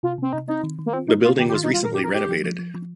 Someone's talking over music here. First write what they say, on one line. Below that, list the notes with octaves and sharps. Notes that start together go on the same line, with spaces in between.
The building was recently renovated.
C3 F4
C3 C4
C3 D#4
C4 D#4
D#3
D#3
A#3
C4 F4
A#3 D#4
A#3 F4
D#3 G4
G4
D#3 F4
D#4
G3 F4
A#2 A#4
G4
D#4
A#4
D#4 G4
F3
F3
F3
F3